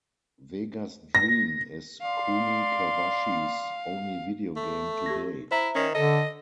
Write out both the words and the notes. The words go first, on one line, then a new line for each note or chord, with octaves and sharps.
Vegas Dream is Kuni Kawachi's only video game to date.
A#6
D5 F5 C6
A3
G4 G#6 A#6
E4 C5 E5 A#5
D#3 C#4
D3 A4 D#5 E6